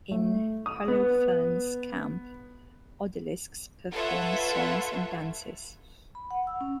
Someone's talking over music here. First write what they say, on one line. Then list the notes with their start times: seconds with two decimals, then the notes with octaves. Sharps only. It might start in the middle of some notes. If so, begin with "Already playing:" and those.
In Holofernes' camp, odalisques perform songs and dances.
0.11 A3
0.66 D#6
0.88 B3
3.93 F4 A4 B4 C#5 E5 F#5
6.15 B5
6.31 F#5
6.47 E6
6.61 C#4